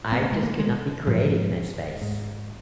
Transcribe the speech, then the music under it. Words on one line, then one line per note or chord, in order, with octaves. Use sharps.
I just could not be creative in that space.
G#2 B3
A#3
G#3
A#3
G#3
G#2 F3
G#2